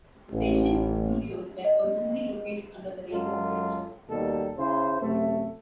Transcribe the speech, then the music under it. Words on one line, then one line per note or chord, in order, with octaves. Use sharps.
The station's studios were originally located under the Rainbow Bridge.
A1
D#5
F#2 F#3 G#3 F4 A4
D#2 B2 G3 A#3 A4
C#3 E4 C5
F#2 C3 A3